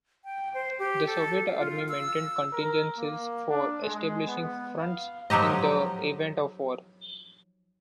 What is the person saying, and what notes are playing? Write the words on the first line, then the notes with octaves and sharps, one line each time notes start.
The Soviet Army maintained contingencies for establishing fronts in the event of war.
G5
C5
G4
A4
F5
F4
E6
A#4
A#3
D4
G#3
B3
F5
F3 F#3 D#4 G4 D#5